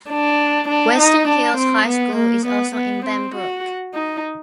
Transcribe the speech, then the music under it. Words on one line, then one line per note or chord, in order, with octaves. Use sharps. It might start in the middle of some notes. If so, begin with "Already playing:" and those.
Western Hills High School is also in Benbrook.
D4
D4
D#4
D4
C4
B3
A#3
B3
B3
C4
F#4
D#4